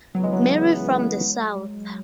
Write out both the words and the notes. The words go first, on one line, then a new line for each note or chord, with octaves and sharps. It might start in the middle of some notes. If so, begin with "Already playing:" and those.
Marie from the south.
C#2 C#3 E3 F#3 B3
G#3
F#3